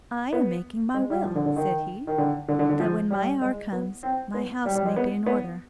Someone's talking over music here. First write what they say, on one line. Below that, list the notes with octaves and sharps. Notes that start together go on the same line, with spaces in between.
'I am making my will,' said he, 'that when my hour comes my house may be in order.'
B3
G#3
G3
F3
D3
D3
D#3
D#3
D3
D3
D3
D3
F3
G3
G#3
B3
C4
B3
G3
G3
G#3
B3
B3